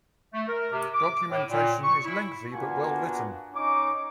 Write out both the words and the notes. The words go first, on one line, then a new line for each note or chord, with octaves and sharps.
Documentation is lengthy but well written.
A3
A#4
C3
D6
A2
A#2
C#6
E4
A#3 B3 D4 F4 F#4 G#5
C#4 D#4 A#5 D6